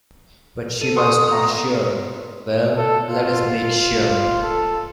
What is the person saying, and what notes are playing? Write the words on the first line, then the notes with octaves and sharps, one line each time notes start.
But she was not sure - well, let us make sure!
A4 D#7
F#5 C6 C#6 D#6
A#5
A4
F4
A4